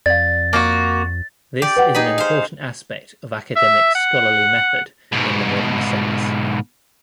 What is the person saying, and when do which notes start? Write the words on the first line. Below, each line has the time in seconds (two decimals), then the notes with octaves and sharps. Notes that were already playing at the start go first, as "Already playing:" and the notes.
This is an important aspect of academic scholarly method in the modern sense.
0.06 F2 D5 F5 A6
0.53 A#3 F4 F#4
1.62 G4 D5
1.76 B4 F#5
1.95 D#4 G#4 B5
2.18 C5 F5
3.56 E5
3.95 F#5
5.12 G#2 B2